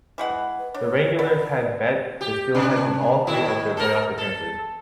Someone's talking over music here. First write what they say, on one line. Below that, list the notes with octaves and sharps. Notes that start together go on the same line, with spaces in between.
The Wranglers had met the Steelheads in all three of their playoff appearances.
E3 G#3 F#5
B4
D4 C#5
B3 A4 D5
G4
C3 D4
A2 D#3 E4
A4 A#4
A4